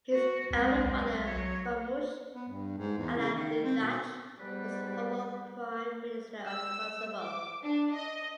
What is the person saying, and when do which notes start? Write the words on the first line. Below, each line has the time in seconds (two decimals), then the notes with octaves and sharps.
His elder brother Ramush Haradinaj was former Prime Minister of Kosovo.
0.12 F#4
0.51 B1 G#3 C4
0.85 B1
1.23 F#3 C#5
2.34 B3
2.49 G2
2.78 G#2
2.98 E2
3.17 C#3
3.34 D#3
3.64 C4
3.81 B2
4.40 G#2 G3 B3 B4 D5
6.47 E6
7.21 D6
7.63 D4
7.94 D#5